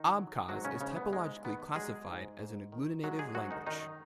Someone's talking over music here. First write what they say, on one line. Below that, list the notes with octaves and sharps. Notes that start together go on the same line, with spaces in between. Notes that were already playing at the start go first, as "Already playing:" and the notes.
Abkhaz is typologically classified as an agglutinative language.
Already playing: D#3 D#4
F#3
G#2 F#3 F#4
C#3 C#4
G#2 C#3 C#4
B3
G#2 G#3
D#3 B3
F#3 G#3 G#4
G#2
G#2
D#3
F#3 G#3 F#4
G#3 G#4
G#2 F#3 F#4
D#3 D#4
F#2 D#3 D#4